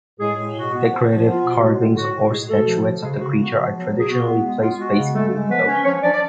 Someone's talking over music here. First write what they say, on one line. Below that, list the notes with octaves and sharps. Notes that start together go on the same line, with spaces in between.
Decorative carvings or statuettes of the creature are traditionally placed facing the window.
A2 G#3 G#4
A2
B2 F#4
B3
F3
F3
B3 F4
B2
G#3
D3
A2 F#4
A2
B2 G#3 G#4
B2 A3 A4
F3
D3
C#3 G#3 G#4
C#3 F#4
B3 F#4
F3
F#3
B2
G#4
B3 F#4
B3
G#3
B3 F4
G#3 F#4
C#3
G#3 A3 A4
G#3
F3 B3 B4
C#4
F3 C#4 C#5
F3 D4 D5
D5